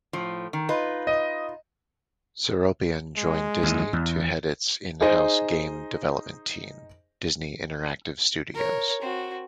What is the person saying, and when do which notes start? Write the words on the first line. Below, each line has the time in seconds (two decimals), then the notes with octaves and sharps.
Seropian joined Disney to head its in-house game development team, Disney Interactive Studios.
0.13 A2 F3
0.53 D#3
0.69 D#4 F4 B4
1.07 D#5
3.17 G#3
3.63 D#2 E3
3.93 E2
5.01 D#4 G#4 C5 D#5
8.54 A#4 C#5
9.02 C4 F#4